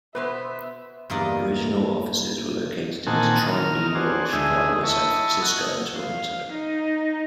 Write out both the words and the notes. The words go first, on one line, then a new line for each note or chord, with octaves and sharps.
Original offices were located in Detroit, New York, Chicago, San Francisco, and Toronto.
B2 B3 B4 C5 E5
E2 G2 A#3 D5 D#5
A#2 D#3 C4 F#5 G#5 A5
D#3 A#5 F6
D4 F#4 G#4 C5
D2 G#3 G#4 E5 D#6
E4 D#5 A5 C#6
D#5 F#5
F5
D#4